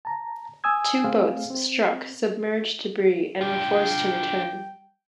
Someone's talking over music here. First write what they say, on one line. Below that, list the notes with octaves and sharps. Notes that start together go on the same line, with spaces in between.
Two boats struck submerged debris and were forced to return.
A5 A#5
G#5 D#6 E6 G#6
A3 C4 G#4 F5
C4
D4 F4 G5